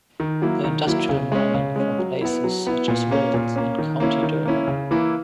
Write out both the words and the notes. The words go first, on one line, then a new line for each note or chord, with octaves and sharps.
The Industrial mining from places such as Wales and County Durham.
D#3
F#3 A#3 E4
D#3
F#3 A#3 E4
C#3
G#3 C#4
C#3
G#3 C#4
F#3
B3 E4
F#3
B3 E4
A#2
A#3 C#4
A#2
A#3 C#4
D#3
A#3 C#4 E4
D#3
A#3 C#4 E4
C#3
E3 A#3 E4